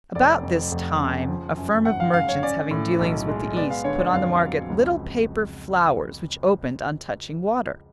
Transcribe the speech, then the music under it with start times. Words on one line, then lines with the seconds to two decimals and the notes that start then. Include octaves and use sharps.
About this time a firm of merchants having dealings with the East put on the market little paper flowers which opened on touching water.
0.15 F1 D5
0.43 F2
0.71 F1
1.00 C#3
1.28 F3
1.57 F#2
1.85 G#1 F#5
2.00 F5
2.13 C#3 F5
2.29 C#5
2.43 C#4 D5
2.71 A2
2.99 B1
3.28 G#3
3.57 B3 D5
3.70 F5
3.84 D3 C#5
3.99 D5
4.14 F2 F5
4.42 F#3
4.70 C#2